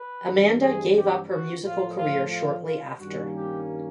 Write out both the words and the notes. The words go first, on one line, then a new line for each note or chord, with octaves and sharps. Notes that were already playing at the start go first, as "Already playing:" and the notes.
Amanda gave up her musical career shortly after.
Already playing: B4
G2 E3 G3 C4
G#4
G4
F#4
A2 F3 A3 F4
F4
F4
F4
G2 D#3 G3 A#3 C#4 F#4
G4